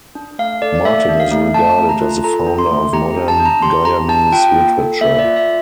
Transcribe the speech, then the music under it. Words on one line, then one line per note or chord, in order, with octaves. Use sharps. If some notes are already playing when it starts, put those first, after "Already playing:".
Martin is regarded as the founder of modern Guyanese literature.
D4
A3 F5
A4 D5
D5
A3 E5
D4
F5
A3
D4 A5
A3
A#5
F4
A4 A#5
D4
C6
A3
G4 A#5
A#5
D4
A5
D4
A#5
G4 C6
G4 A#5
D4 A5
F4 G5
A#3
A4
A#3 E5
D5
F4
E5